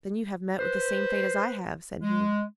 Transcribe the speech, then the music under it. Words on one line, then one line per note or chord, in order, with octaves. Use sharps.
'Then you have met with the same fate as I have,' said he.
B4 C5
G#3